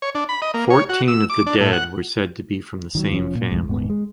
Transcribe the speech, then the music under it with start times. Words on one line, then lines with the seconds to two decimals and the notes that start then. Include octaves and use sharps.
Fourteen of the dead were said to be from the same family.
0.02 C#5
0.15 D4
0.29 B5
0.42 D#5
0.54 A#3
0.70 C#5
0.89 F#4
1.08 E6
1.30 D6
1.47 D4
1.60 A2
1.73 F#5
2.95 D#3 F3 F#3
3.11 F1 F3 C4 C#4
3.35 A#2
3.51 B1 F2 A2 G#3
3.68 D#1 G#2 B3
3.90 G#3